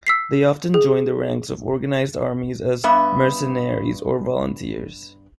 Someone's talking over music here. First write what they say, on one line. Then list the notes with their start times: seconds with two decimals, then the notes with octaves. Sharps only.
They often joined the ranks of organized armies as mercenaries or volunteers.
0.07 E6 B6 C7
0.74 G#4
2.84 G2 B3 E5